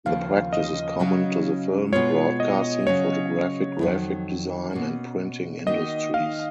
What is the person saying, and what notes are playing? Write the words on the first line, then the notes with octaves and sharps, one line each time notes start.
The practice is common to the film, broadcasting, photographic, graphic design and printing industries.
D#2 C#3 F3 F5
D#5
C#3 F#3 C#4
B2 G#3 B3 F4 C#5
D#5
C#3 F#3 C#4 C#5
F2 D#3 F#3
B2 A#3 C#4
D#3 A#3 D#4 F#4 D#5
F5